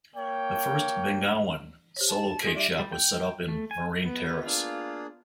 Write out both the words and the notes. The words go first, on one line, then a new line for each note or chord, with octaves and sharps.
The first Bengawan Solo Cake Shop was set up in Marine Terrace.
A#3 C#5 G5
G4 C5 C#5
A5
D#4 G#4 A#4
G3 G4 D5 E5
G3
G5
A3
G#5
B3
A#3 D4 F4 G#4